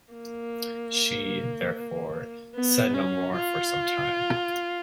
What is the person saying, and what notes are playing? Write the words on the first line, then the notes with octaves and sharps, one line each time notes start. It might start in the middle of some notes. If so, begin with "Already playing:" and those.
She, therefore, said no more for some time.
A#3
B3
C#4
F4